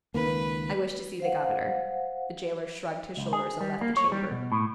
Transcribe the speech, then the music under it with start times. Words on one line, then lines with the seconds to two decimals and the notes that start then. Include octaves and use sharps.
"I wish to see the governor." The jailer shrugged his shoulders and left the chamber.
0.14 C#2 D#3 A#3 B4
1.20 C5 F5 F#5
3.17 C#2
3.33 G#4
3.61 G3
3.81 A#3
3.97 C#5
4.12 G3
4.31 B2
4.52 A2